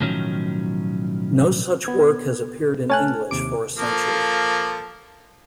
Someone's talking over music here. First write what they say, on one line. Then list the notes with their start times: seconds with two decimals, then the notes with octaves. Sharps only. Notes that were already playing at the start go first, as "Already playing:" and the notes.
No such work has appeared in English for a century.
0.01 B1 A2 D#3 F3 F#3 C#4
1.85 B3 G#6
2.90 A3 C#5 G#5 A5 F6 F#6
3.31 D#2 C3 D6 D7
3.77 F3 A#3 A4